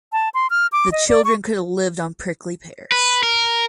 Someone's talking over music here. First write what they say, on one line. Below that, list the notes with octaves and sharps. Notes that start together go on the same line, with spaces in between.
The children could have lived on prickly pears!
A5
C6
F6
D6
D#5
D5
C#6
B4
A#4